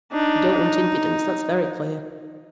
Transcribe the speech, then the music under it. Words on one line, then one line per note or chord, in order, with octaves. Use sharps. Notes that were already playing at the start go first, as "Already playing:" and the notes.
You don't want impudence, that's very clear.'
D4 D#4